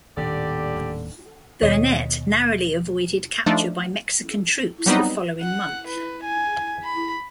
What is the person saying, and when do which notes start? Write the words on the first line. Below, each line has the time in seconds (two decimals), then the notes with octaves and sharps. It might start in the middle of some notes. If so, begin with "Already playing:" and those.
Burnet narrowly avoided capture by Mexican troops the following month.
0.17 D#1 D#2 A2 D3 G4 D5
1.62 D#2 B2 C#5 D#5
3.46 F3 A3 D4 D#4
4.86 F#3 G3 B3 C4 D#4
5.41 F#5
5.87 B4
6.24 G#5
6.83 B5